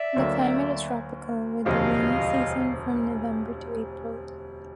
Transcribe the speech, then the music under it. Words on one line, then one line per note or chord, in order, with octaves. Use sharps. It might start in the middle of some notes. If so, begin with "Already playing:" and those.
The climate is tropical, with a rainy season from November to April.
Already playing: D5 E5
D2 D3 F#3 A#3
E1 D2 C3 F3 D#5 F5